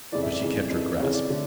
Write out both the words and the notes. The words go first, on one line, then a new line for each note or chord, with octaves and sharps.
But she kept her grasp.
F2 C#3 E3 D5
E5
D5
F2 C#3 E3
F2 C#3 E3
F2 C#3 E3 C#5
D5
D3 A3